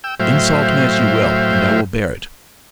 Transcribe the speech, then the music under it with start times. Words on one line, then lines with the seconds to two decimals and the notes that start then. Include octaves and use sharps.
Insult me as you will, and I will bear it.
0.04 G5 E6
0.20 A2 F#3 C5 E5 F5 G5